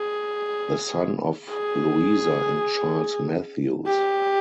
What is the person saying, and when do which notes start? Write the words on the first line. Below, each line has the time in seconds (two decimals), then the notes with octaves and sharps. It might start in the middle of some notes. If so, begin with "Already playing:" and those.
The son of Louisa and Charles Matthews.
Already playing: G#4
1.50 G#4
3.87 G4